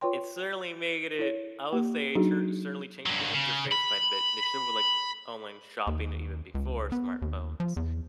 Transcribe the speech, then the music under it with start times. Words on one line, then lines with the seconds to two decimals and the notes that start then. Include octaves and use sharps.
it certainly made it I would say, it tur certainly changed the interface quite a bit initially with, like, online shopping even before smartphones.
0.01 F4 B4 C#5 G5 C6
1.19 E4 C#5
1.73 A#3 G4
2.15 F#3 D4 D#4 F#4 G#4
3.06 G2 F#3
3.34 C#3
3.72 B5
5.87 D#2
6.55 C#2
6.92 B3
7.22 D#2
7.60 F3
7.77 E2